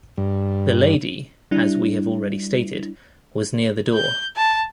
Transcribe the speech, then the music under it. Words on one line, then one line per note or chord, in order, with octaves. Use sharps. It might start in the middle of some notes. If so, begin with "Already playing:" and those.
The lady, as we have already stated, was near the door.
G2
G3 D4 E4
G6
A5